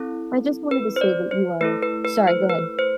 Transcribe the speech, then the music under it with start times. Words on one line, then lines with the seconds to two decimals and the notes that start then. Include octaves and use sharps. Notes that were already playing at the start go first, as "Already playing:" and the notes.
I just wanted to say that you are Sorry, go ahead.
Already playing: C4 E4 A4
0.71 B4
0.96 C5
1.01 D5
1.31 C5
1.61 A3 E4 A4 B4
1.82 B4
2.05 B4
2.27 C5
2.49 B4
2.79 C5